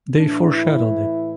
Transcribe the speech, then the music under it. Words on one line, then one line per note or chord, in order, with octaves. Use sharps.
They foreshadowed it.
A2 E3 D4
E4